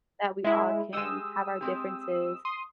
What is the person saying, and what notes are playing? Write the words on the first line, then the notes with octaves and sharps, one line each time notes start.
That we all can have our differences,
G#3 E4 E5
G#3 G4 D#6 E6
G#3 C4 G4
C6 D#6